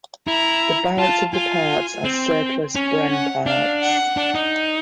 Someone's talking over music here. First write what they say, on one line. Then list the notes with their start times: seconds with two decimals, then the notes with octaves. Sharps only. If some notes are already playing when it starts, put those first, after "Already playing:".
The balance of the parts are surplus Bren parts.
0.27 E4 A#5
0.98 F4 A5
1.34 F4 G#5
2.04 C4
2.75 C#4
3.11 F#5
3.46 D4 F5
3.82 F#5
4.17 D4
4.35 D#4